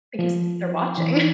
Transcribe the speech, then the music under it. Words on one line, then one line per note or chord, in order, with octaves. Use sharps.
Because they're watching.
F3
E3